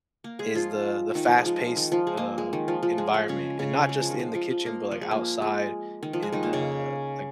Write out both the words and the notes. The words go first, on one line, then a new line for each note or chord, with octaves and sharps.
is the the fast-paced, uh, environment, and not just in the kitchen, but, like, outside in the, like,
A#3 A#4
G#3 G#4
F3 F4
D#3 D#4
F3
G#3
F3
D#3
F3
G#3
A#3
G#3
D#3
F3
F3
G#3
G#3
C#3 C#4
C#3 C#4
G#3
F3
D#3
F3
F3
F3
A#3
F3
G#3
A#3
G#3
D#3
F3
G#3
D#3 D#4
A#3
C#3 C#4